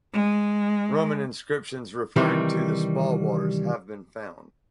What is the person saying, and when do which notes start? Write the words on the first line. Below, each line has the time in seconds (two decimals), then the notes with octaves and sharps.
Roman inscriptions referring to the spa waters have been found.
0.13 G#3
2.16 C3 D#3 E3 G3